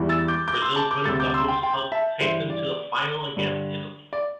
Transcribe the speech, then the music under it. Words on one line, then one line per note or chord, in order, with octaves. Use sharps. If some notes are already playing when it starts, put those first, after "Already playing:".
Brazil's win over the hosts helped take them to the final against Italy.
Already playing: E2 E3 G3
E6 A6
D6 G6
D6 G6
C6 E6
A5 D6
D6 G6
D2 C3 G3 E6 A6
D6 G6
C6 E6
G5 C6
G5 C6
E5 A5
G2 E3 G3 C5 E5
D5
G2 D3 G3
D5